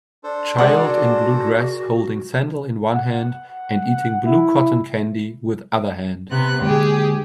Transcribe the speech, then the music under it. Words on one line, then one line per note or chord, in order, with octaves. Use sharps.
Child in blue dress holding sandal in one hand and eating blue cotton candy with other hand.
D4 A4 C5
G#3 G#4 A#4 D5 F#5
F#4
F#5
E4
C3 B3 F#6
D3 G#3 A#3 G4 G#4